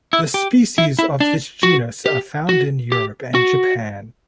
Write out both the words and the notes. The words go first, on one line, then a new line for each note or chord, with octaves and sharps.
The species of this genus are found in Europe and Japan.
E4
G4
E4
E4
D4
F#4
G4
F#4
G4
F#4